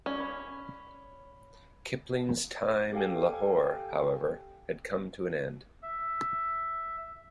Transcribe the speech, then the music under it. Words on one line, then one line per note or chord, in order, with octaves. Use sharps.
Kipling's time in Lahore, however, had come to an end.
C#4 D5
B5
G4 A4 F5 G5 G#5
E5